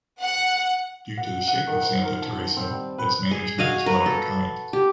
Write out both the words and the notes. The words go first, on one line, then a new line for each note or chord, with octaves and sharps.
Due to the shape of Santa Teresa, its management is one of a kind.
F#5
F#5
F#5
D#3
C5
A#4
A5
A5
C4
G3
B4
G#4
F#4 D#5 F5 G#5
A#4 B4
A4
G4